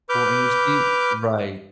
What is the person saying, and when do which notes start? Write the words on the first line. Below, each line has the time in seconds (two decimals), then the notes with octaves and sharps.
Well, and you see right.
0.09 B4 D6 F6 G6